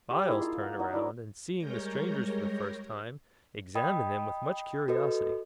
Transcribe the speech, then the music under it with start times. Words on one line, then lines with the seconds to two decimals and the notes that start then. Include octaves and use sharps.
Files turned around and, seeing the strangers for the first time, examined them with much curiosity.
0.11 G4
0.27 A#3 D#4 E4 G#4
0.41 F4 F5
0.61 F#5
0.79 F#3 D#4 F#4
0.93 D4 E4 A#4
1.58 G3 G#3 A#4 C#5 G6 A#6
3.75 D#5 G5 B5 D#6
4.88 F#4 A4 B4 D#5